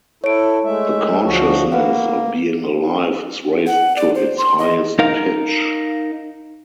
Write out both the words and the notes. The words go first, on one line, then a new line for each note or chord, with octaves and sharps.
The consciousness of being alive is raised to its highest pitch.
E4 A4 C#5 D7
G#3 A3 E5
D2 F3 F#4
A#3 B4 F5 F#5
F#5
D5
C5
C6
D#5
D#4 A#4 F5